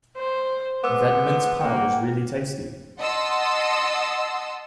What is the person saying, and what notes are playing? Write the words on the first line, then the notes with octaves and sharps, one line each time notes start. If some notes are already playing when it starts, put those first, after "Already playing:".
That mince pie was really tasty.
C5
G#3 B3 D6 E6
A#3 F#5 G5
D#5 F#5 A5 C6 D#6 E6